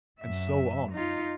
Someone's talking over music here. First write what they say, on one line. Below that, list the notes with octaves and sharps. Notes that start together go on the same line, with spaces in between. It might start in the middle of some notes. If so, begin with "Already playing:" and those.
And so on.
F#2 E5
D#4 F4